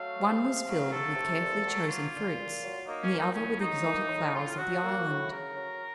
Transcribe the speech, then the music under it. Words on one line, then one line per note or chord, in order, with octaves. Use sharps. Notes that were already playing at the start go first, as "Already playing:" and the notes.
One was filled with carefully chosen fruits, and the other with the exotic flowers of the island.
Already playing: F#3 A3 F5
C3
C3
F#3
A3 A4
C3
A#2
F#3
A#3 F4
A#2
A#2
F#3
A#3 D#4
C#4
A#2
D#4
A2 C#4
F#3 D#4
A#3
A2
A2 F4
F#3 F#4
A#3
A2
C#3 A#4
F#3